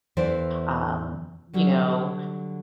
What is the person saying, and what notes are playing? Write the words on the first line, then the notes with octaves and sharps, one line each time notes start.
um, you know,
E2 E3 E4 A4 C5 D5
D3 F#3 G3